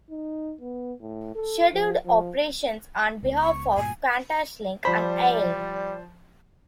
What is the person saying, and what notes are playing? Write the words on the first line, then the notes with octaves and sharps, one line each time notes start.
Scheduled operations on behalf of QantasLink and AaE.
D#4
B3
A2
A4
F3
F3
C#2 B3
C#6
D2 G2 A#2 G#5
F3 G3 C5 D5 B5